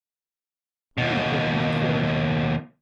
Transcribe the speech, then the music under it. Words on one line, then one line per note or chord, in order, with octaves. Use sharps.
"Only a little--not very."
D#2 B2